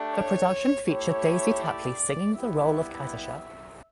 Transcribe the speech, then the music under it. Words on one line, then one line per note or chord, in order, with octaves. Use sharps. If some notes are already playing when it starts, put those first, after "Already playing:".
The production featured Daisy Tapley singing the role of "Katisha".
Already playing: A3 D4 G4
C#5
A3 E4 G4 C#5
D5
G3 B3 E4 G4 E5